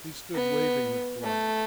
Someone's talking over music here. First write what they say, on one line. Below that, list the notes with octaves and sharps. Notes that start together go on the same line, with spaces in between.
He stood waving his flag.
B3
A3